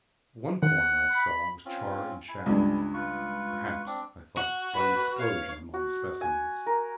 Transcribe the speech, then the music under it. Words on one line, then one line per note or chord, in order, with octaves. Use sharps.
One corner I saw was charred and shattered; perhaps, I thought, by an explosion among the specimens.
D#3 F#5
B5
C4 C#4 F4
E4 G#5
C#2 G2
F4 B4 C#6
C4 D4
F#4
B4 B5
C#5 F5
F#4
G#5
A#4